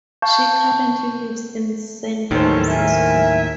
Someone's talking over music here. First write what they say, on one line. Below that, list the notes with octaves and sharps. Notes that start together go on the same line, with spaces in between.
She currently lives in San Francisco.
F5 A5 C#6 G6
D#2 A2 D#3 C#4 A4 C5
A#4 E5 G#5